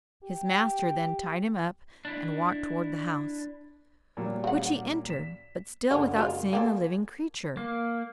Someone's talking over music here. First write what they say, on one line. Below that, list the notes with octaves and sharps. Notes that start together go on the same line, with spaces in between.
His master then tied him up, and walked towards the house, which he entered, but still without seeing a living creature.
G4
D4 E4
A#2 F#3 G3
C#3 F#5
B6 E7
F#1 D3 C#4
F#3 G#3 F4
A#3 G4 A4 G#5
A#3